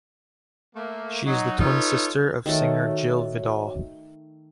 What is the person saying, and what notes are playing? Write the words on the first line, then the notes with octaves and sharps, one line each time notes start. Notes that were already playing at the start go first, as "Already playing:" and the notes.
She is the twin sister of singer Jill Vidal.
A3 A#3
F#3 D#4
D#4 F4 A4 B4 C#5
D#3 A3 F#4 C#5